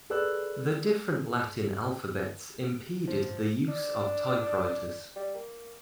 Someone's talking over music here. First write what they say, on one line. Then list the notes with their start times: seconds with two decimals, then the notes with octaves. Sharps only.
The different Latin alphabets impeded the use of typewriters.
0.10 G#4 A4 B4 D5 E6 F#6
3.07 F3
3.68 D4
5.16 G3
5.34 A#3